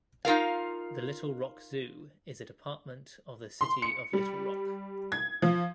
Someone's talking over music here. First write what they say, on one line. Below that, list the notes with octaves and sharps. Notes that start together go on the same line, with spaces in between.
The Little Rock Zoo is a department of the city of Little Rock.
D#4 F4 A#4 F5
C6
C#7
G3
G#6
F3